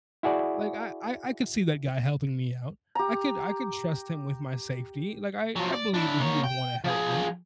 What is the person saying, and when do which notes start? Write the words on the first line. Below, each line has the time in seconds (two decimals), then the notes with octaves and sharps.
Like I I I could see that guy helping me out, I could I could trust him with my safety, like I I believe that he would wanna help me,"
0.23 E4 F#4 G#4 D5
2.95 G4 A#5
5.56 F3 F#3
5.73 D5
5.94 D4 E4
6.20 A#3 C#5
6.44 G5
6.84 F3 G#4